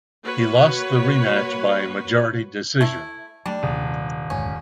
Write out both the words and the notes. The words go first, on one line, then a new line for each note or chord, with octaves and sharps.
He lost the rematch by majority decision.
A#3 F#4 B4 C#5
A3 E4
F#3 G3 A3 D4
D#1 D#2 C3
F1 D2 G#2 C#4